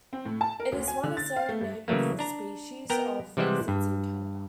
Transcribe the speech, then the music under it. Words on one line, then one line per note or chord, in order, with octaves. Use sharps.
It is one of seven native species of lizards in Canada.
C4
A2
A5
A#4
D2
G#5
D3
A6
F5
A3
G2
C#3 E3 F#3 A3 A#3
D4 A#5
B3 A#4 G5 A#5
C3 E3 G3 G#3 C5 F#5
G2